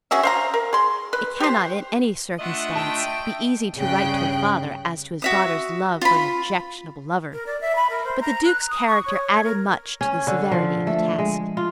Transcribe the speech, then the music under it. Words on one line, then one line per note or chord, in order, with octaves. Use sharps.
It cannot in any circumstance be easy to write to a father as to his daughter's love for an objectionable lover; but the Duke's character added much to the severity of the task.
C#4 F#4 G#4 E5
C5 F5 A#5
A#4
G#4 C6
B4
G4 C5
A3 D4 F4 D#5 E5 F#5
G5 A5
G2 C#3 G5 F#6
F#4 E5 D#6
F4 B5
A#4
D5
E5
B5
A#4
C5
A#5
F#6
D#6
C#6
C#5
A#4
C#4
D3
F3
A3
G#3
F4